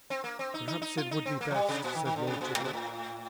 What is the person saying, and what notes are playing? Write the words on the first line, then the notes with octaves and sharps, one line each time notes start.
"Perhaps it would be best," said Lord Giblet.
C4
A#3
C4
D#4
D#4
D#4
F4
D#4
C4
A#3
F3
G3
C3
A#2
D#3
D#3
D3
C3
A#2
A2
A#2
A2